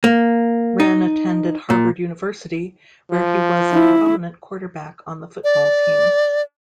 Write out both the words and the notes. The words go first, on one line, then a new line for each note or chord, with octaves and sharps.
Wrenn attended Harvard University where he was a prominent quarterback on the football team.
A#3
D#4
A#2
F3
E4
D5